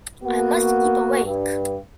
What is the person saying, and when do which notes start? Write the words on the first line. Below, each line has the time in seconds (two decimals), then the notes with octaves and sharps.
I must keep awake.
0.24 A#3 B3 F#4
1.24 G2